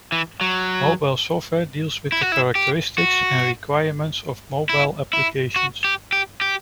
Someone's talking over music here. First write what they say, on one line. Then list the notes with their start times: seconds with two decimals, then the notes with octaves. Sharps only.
Mobile software deals with the characteristics and requirements of mobile applications.
0.12 E3
0.41 F#3
2.12 E4
2.21 F#4
2.32 E4
2.55 G4
2.98 F#4
4.69 E4
5.13 E4
5.56 F#4
5.85 G4
6.13 G4
6.41 G4